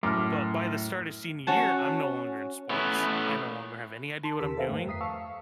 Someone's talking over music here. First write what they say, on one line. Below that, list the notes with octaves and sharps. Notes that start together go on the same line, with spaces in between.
But by the start of senior year, I'm no longer in sports. I no longer have any idea what I'm doing,
F#2 A2 D6 F6
C#4 F#4 A5
A3 B3 C#4 E4
A5 C6
D#2 D#3 G4 A#4 E6 B6
A4 B4 C5 E5 F5 G5
G2 A3
F2 A#5 D#6 B6 C7
F5 A5 C#6 E6